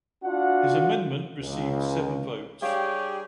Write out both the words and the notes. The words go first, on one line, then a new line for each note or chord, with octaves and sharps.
His amendment received seven votes.
D4 F4 F#4 F#5
C#2
G3 D4 G4 G#4 C#5 F5 G5